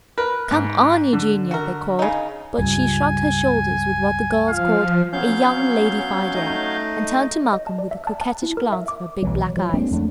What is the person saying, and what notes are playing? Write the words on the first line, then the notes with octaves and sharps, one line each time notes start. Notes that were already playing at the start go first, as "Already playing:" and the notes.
"Come on, Eugenia," they called, but she shrugged her shoulders with what the girls called a "young ladified air," and turned to Malcolm with a coquettish glance of her big black eyes.
A#4 B4
G#2
D3
F#4 A#4
C#3 D#4
C#2 G2 G#5
F3 F5
F#3 B3 C#4 F5 G6
A3 D#4 D#5
D#5
A5
D5
E5
A5
A5
E4
A#4
E5
D6
B1 E3 F#3
F#3
F3 F#3
G#3 A#3 C4 D4
F2 A3 C4 D4